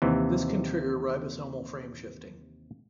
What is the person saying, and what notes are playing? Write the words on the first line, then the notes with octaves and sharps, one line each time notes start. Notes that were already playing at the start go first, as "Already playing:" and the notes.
This can trigger ribosomal frameshifting.
D#2 C3 E3